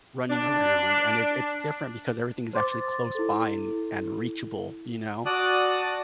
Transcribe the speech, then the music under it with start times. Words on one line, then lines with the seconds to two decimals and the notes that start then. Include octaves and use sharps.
running around. And it it's different because everything is actually close by, an and reachable, you know?
0.30 D4
2.53 C5 C6 D6 A6
3.15 E4 A4
5.26 F#4 D5 A5 D#6 F#6